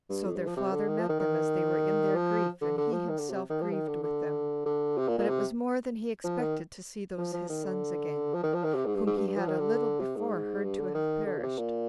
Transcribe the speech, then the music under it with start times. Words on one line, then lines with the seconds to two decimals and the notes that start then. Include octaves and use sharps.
So their father met them as they were in their grief, and he himself grieved with them; but it was more than he expected to see those his sons again, whom he had a little before heard to have perished.
0.09 G2
0.25 F2
0.36 G2
0.47 F3
0.57 C3
0.73 D3
0.88 D#3
0.99 F3
1.09 D#3
1.20 D#3
2.15 F3
2.61 D3
2.78 D3
2.92 F3
3.09 D#3
3.19 D3
3.30 C3
3.50 D#3
3.61 F3
3.71 D#3
3.87 D3
4.03 D3
4.65 D3
4.98 C3
5.08 A#2
5.18 A#2
5.29 C3
6.24 F3
6.39 D#3
7.18 F3
7.33 F3
7.50 D#3
7.64 D3
8.34 F3
8.43 D#3
8.54 F3
8.64 D#3
8.75 C3
8.85 G#2
8.95 G2
9.06 G#2
9.17 G2
9.27 G2
9.38 F3
9.48 D#3
9.59 D3
10.00 C3
10.16 G#2
10.64 G2
10.79 D3
10.94 D#3
11.26 D3
11.38 A#2
11.42 C3
11.58 A#2